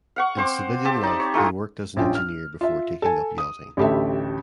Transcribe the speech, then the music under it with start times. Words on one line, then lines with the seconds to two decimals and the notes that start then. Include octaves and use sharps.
In civilian life he worked as an engineer before taking up yachting.
0.16 F5 F#5 C#6
0.37 C4 C5 D6
0.85 C4 G4 A5
1.03 D#4 D5
1.20 C#5
1.34 A3 D#4 F4 G4
1.97 A#1 C#4 F4 G5
2.15 F6
2.61 F4 E5
3.02 A4 G#5
3.38 D#6
3.77 A1 D2 G4 A4 E5